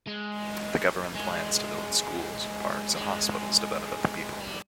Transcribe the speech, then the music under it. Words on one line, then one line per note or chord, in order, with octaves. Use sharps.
The government plans to build schools, parks, and hospitals to benefit the people.
G#3
G#3
G#3
G3